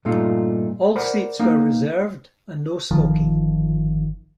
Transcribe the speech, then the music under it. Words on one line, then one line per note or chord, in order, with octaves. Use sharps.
All seats were reserved and no-smoking.
G2 A#2 A3 D#4 F4
A#4 C5 D5 F#5 B5
A#3 B3 D#4 F5
G1 D#3 F3